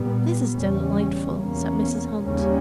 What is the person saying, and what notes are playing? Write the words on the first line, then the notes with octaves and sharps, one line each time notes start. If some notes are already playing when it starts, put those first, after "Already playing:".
"This is delightful," said Mrs. Hunt.
Already playing: A#2 G3 B3
E2 C#3 G3 C#4
E2 B2 A#3 C#4
D#2 C#3 G3 A#3 C#4